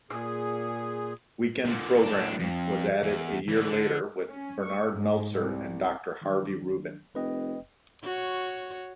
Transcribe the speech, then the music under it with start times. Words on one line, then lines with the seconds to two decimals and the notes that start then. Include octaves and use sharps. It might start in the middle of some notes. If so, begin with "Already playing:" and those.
Weekend programming was added a year later with Bernard Meltzer and Doctor Harvey Ruben.
0.11 A#2 G#4
1.65 A#2 D3
2.03 A2 D4
2.40 F2
3.03 E2
3.49 D3 E3
3.69 D3
4.29 C#4
4.64 C#6
4.95 G#2
5.32 C2
6.22 D#3 F#3 D4
7.15 F1 B4 D#5 G5
8.04 F#4 C#5